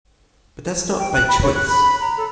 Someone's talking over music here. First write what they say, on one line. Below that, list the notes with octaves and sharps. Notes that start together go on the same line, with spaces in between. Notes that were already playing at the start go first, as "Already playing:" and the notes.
But that’s not by choice.
G5
F#6
B5
C#5
F#6
B5
A#5
A4